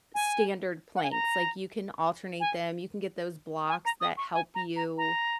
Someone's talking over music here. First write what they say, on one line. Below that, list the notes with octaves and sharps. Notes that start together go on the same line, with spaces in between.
standard planks. Like, you can alternate them, you can get those blocks that help you. Y
G#5
F#5
G#5
A#5
G#5
G#5
A#5
D#6
C#6
G#5
A#5
A#5
A#5